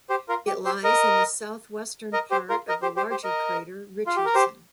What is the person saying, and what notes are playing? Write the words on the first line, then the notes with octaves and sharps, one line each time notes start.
It lies in the southwestern part of the larger crater Richardson.
G4 C5
F4 A#4
G4
G4 C5
A#4 D#5
A#4 D#5
G4 C5
F4 A#4
A#4 D#5
G4 C5
G4 C5
G4 C5
A#4 D#5
F4
G4
A#4
G4 C5